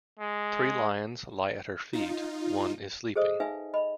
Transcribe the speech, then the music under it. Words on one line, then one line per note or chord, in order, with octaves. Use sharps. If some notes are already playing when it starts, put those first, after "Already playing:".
Three lions lie at her feet; one is sleeping.
G#3
D#4 F4
G#4 A4 C5 D#5 D#6
D#4 B4 E5 F5 G#5
D#5 B5